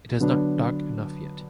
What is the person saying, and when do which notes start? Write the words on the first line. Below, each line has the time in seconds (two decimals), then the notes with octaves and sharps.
It is not dark enough yet.
0.20 D3 F#3 B3 D4